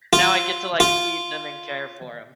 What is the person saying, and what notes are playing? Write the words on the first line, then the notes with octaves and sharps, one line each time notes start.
now I get to, like, feed them and care for 'em.
F4
F4